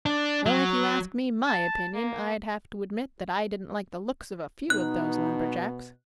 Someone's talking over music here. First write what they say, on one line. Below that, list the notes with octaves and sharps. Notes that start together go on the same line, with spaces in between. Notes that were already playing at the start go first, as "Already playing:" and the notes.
"Well, if you asked me my opinion, I'd have to admit that I didn't like the looks of a few of those lumberjacks."
D4
F#3
A5
A#3
B2 D#4 F#6